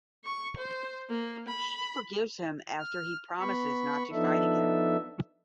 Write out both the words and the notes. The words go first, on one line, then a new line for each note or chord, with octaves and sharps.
She forgives him after he promises not to fight again.
C#6
C5
A#3
B5
F6
B3 B5 C#6
F3 B3 D4 D#4 A4 E5